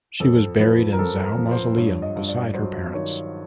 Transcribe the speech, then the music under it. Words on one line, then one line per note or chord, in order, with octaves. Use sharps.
She was buried in Zhao Mausoleum beside her parents.
F2 A4
F3 B4
A#4
F2 A4
A#4
F3
C5
G2 C#5
D#5
G2
D5
F#3 C5
D#3 C#5